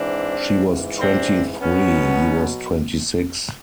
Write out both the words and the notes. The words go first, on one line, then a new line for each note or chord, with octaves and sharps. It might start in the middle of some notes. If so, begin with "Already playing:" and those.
She was twenty-three; he was twenty-six.
Already playing: G#2 E3 C4 D4
G#2 E3
C4 D4
B2 F#3 B3 C#4